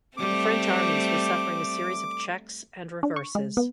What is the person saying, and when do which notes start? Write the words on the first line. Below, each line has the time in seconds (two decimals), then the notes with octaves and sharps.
The French armies were suffering a series of checks and reverses.
0.17 G3 A3 C4 D6
3.03 D4
3.16 C#6
3.35 G#3
3.57 B3